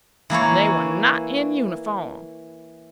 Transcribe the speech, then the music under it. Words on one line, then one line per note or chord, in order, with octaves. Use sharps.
They were not in uniform.
E3 A#3 E4 C#5